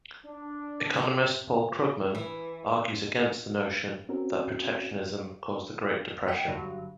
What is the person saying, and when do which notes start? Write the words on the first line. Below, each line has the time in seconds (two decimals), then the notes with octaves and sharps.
Economist Paul Krugman argues against the notion that protectionism caused the Great Depression.
0.25 D4
0.93 C3
2.15 E3
4.09 C4 C#4 F#4 A#4
6.27 D#5 F#5 G5 B6 C#7 D#7
6.48 G2 D3 F#3